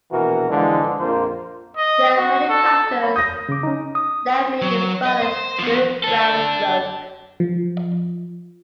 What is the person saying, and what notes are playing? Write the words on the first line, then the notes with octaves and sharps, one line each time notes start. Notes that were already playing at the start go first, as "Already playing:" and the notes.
There are many factors that may define a good groundstroke.
A#1 B2 E3 F#4 A#4
D3 E3 F3 G#3
A#1 F2 A#3 F4 C5
D#5
F#4
A4
C#5 B5
D#6 G6 A#6
C#3 D6
C#4 D#4
D#6
F#3
D#5
C5
F3 B3
D4 A4
F3